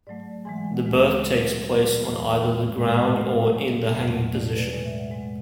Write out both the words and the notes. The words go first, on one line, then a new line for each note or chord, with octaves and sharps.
The birth takes place on either the ground or in the hanging position.
G#2 F#3 A3 D5
G#2 E3 G#3 G#5
F#5
G#5
F#5
D2 C#3 G#3
A2 F#3 A3 E5
G#4
G#4
G#2 F#3 A3 B4
E2 C#3 E3 A3
A2 G#3 G#5
A2 G#3
G#2 F#3 A3
B2 A3 G#5
E2 B2 F#3 A3 F#5
B2 A3 D5
C#5
B4
A2 G#3 D5
E5
F#5
G#2 G#3